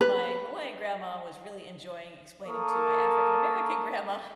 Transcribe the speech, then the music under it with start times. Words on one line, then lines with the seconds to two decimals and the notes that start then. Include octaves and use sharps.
my Hawaiian grandma was really enjoying explaining to my African-American grandma
0.01 B4
2.47 A#3 A4 A#4 A5 C#6 D#6